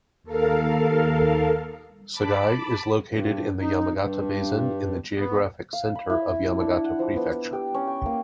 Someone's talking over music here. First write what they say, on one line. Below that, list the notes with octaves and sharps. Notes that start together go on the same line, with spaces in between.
Sagae is located in the Yamagata Basin in the geographic center of Yamagata Prefecture.
D#2 A4 A#4 F5
A5 B5 D6
G2
D#4
G2
B3
F5
B5
E4
E4
D4
F#5
F3
B3
G4
C#4
G5
A#3